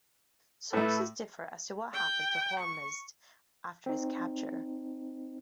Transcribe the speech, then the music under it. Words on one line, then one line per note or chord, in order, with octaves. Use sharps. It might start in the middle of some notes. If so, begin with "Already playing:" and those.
Sources differ as to what happened to Hormizd after his capture.
A2 A3 A4 B4
G5
C#6
C4 D#4